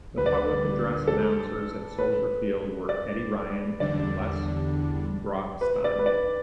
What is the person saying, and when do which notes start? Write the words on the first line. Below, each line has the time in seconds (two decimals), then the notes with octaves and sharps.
The public address announcers at Soldier Field were Eddie Ryan and Les Grobstein.
0.18 D2 D3 G3 B4
0.26 D5
0.34 B4
1.07 A4
1.99 B4
2.89 D5
3.80 E2 D3 G3 D4 D5
5.61 B4
5.84 D5
5.99 B4
6.06 D5